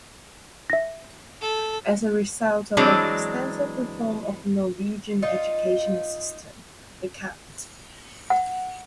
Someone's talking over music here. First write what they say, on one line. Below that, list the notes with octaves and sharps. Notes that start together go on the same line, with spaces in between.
As a result of an extensive reform of the Norwegian educational system, the cand.
E5 A#6
A4
E3 F#3 G#3 C4 D4
D#4 F4 D#5
F#5